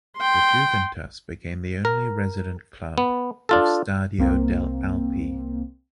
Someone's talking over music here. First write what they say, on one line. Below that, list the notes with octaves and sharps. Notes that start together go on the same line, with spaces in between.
The Juventus became the only resident club of Stadio delle Alpi.
G5 C6
A#4
B3
D4 F4 A4
C2 A#3 C4